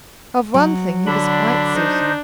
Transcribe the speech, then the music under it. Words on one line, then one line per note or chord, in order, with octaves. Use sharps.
Of one thing he was quite certain.
F#3
D3 D4 B5
D#4 C5